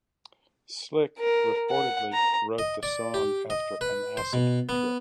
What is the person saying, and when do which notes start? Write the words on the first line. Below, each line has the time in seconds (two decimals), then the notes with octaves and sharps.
Slick reportedly wrote the song after an acid trip.
1.19 A#4
1.70 F#5
2.13 A#5
2.58 D#5
2.83 D5
3.14 G4
3.50 D#5
3.81 B4
4.17 C5
4.33 B2
4.69 B3